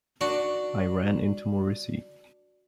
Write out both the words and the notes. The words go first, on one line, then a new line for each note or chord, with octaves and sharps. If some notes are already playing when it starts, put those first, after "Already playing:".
I ran into Morisi.
D4 F#4